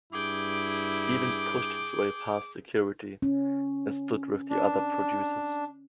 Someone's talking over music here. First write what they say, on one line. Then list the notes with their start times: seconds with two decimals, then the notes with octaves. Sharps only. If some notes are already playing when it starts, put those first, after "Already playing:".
Evans pushed his way past security, and stood with the other producers.
0.13 G2 E4 G#4 G5 D6
3.22 C#4
4.50 D4